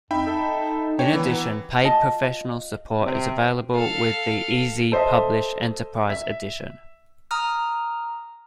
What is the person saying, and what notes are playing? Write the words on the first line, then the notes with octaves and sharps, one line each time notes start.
In addition, paid professional support is available with the eZ Publish Enterprise Edition.
F2 D#4 E5 G5 B5
A4
D4 C#5 G5
D#3 E3 B3
F4 D#5 A5
C3
A4 F5
A4 C5 D#5 E5
E5
A#5 D#6 F6